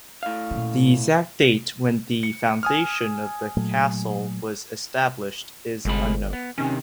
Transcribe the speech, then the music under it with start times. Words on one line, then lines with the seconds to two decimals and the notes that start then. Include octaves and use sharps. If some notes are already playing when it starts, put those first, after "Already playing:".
The exact date when the foundation of the castle was established is unknown.
0.23 A2 F5
0.51 A#2 C#3
2.23 C#7
2.63 G#5 D#6 F6
3.57 A#2 F#3 A3
5.85 G1 C2 G#3 B5
6.33 B3
6.58 C3 D#3 C#4